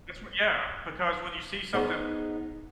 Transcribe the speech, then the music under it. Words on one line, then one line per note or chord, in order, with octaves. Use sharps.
That's what yeah, because when you see something
B3 D#4 G#4 C5 F#5